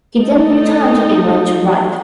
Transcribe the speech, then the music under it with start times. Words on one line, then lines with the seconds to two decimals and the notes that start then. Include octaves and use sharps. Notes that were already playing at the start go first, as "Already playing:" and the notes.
He then returned to England to write.
0.19 A3 D#4 A4